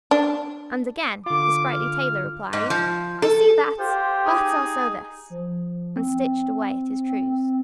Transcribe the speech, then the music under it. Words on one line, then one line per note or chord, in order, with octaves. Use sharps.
And again the sprightly tailor replied: "I see that, but I'll sew this!" and stitched away at his trews.
D4
D3 F4 D6
F6
G#2
F3
A4
F4 G4 C5
D#4 G#4 G#5
F3
C4